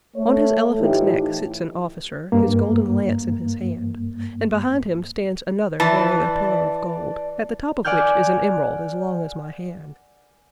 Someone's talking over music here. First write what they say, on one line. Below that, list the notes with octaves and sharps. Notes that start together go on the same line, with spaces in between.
On his elephant's neck sits an officer, his golden lance in his hand, and behind him stands another bearing a pillar of gold, at the top of which is an emerald as long as my hand.
A3 C#5
A2 E3 F3 D#4 E4 G4
G2 A#3
E3 D5 A5
D5 F#5 G#5 F6 G6